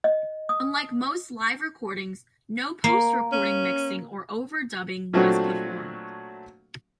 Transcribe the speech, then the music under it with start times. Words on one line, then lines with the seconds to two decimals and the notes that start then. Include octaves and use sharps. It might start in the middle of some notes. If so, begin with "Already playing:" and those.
Unlike most live recordings, no post-recording mixing or overdubbing was performed.
0.04 D#5
0.49 D#6
2.84 A#3
3.32 C#4
5.13 A#2 F#3 A3 C4 D4 F#4